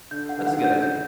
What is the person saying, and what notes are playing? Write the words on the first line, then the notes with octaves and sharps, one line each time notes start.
That's a good idea.
D3 G6
F#5
D3
D#3 F#5
D3
G6
C#3
G6